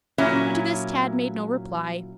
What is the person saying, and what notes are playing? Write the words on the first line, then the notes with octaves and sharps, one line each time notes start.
But to this Tad made no reply.
A#2 F#3 C#4 E4